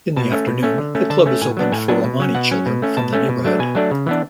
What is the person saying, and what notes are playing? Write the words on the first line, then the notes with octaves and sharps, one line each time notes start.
In the afternoon the club is opened for Romani children from the neighbourhood.
B2 A5
A3 C#4
B2
A3 C#4
D3
A3 C#4
D3 A5
A3 C#4
A2 G#5
F#3 B3 D4
A2 G#5
F#3 B3 D4 G#5
B2
F#3 C#4
B2 F#5
F#3 C#4
B2
A3 C#4
B2 A5
A3 C#4
B2
F#3 A3 D4
B2 G#5
F#3 A3 D4
C#3
E3 B3 D4